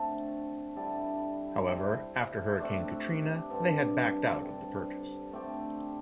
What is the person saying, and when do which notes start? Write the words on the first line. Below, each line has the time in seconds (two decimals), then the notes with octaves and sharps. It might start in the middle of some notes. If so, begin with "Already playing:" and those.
However, after Hurricane Katrina, they had backed out of the purchase.
Already playing: D3 A3 C4 A4
0.76 D3 G3 E4 A4
1.68 G3 E4 C5
2.59 C3 A3 D4 C5
3.50 G2 D3 C4
4.41 D3 G3 C4
5.31 D3 A3 C4 G4